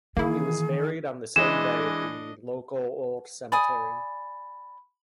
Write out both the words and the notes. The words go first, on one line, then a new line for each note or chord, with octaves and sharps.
He was buried on the same day at the local Old Cemetery.
D#3 E3 A#3 E4 G#4
E3 G#3 D4 D#5 E7
D5 G#5 B5 D#6